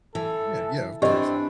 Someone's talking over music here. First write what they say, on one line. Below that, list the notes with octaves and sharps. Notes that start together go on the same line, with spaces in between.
Yeah, yeah, of course.
E3 A4
E3 C4 D4 G4 D#5